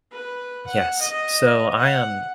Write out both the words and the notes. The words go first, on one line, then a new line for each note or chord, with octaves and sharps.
Yes. So I am
B4
F#5
D#5
F#5